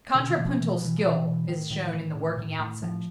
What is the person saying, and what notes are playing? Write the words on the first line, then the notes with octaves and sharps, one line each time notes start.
Contrapuntal skill is shown in the working out section.
B2 D3
D#3
B2 E3
F3
B2 E3
F3
B2 E3
F3
B2
E3
B2
A2 D#3
A2 D#3
A2
A2
A2
A2
A2 F3